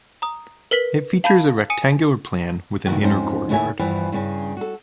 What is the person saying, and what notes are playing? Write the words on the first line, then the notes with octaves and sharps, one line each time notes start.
It features a rectangular plan with an inner courtyard.
A#5 D#6
A#4 B4 B6 F#7
F5 A5 B5 G6
G#5 D#6 C#7 D#7
G2 D#3 E3 A#3 F#4
F2 G#2 C#4 D#4 C5
D#2 A2 C#5 E5 G#5
E2 G2 E3 F3
G2 C#3 C#4
F#4 A4